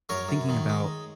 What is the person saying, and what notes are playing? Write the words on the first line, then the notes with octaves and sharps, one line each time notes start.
thinking about
F#2 A#4 C#5
F#2
D#3
G#3